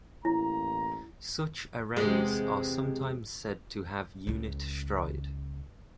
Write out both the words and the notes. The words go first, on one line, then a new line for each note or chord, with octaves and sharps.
Such arrays are sometimes said to have unit stride.
A1 A#3 E4 A#5
E2 C3 G#3
C#2 C#3